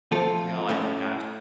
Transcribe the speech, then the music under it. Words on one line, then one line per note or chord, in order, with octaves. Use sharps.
No, I my gosh,
F3 A3 C4 F4 A4
A2 A3 C#4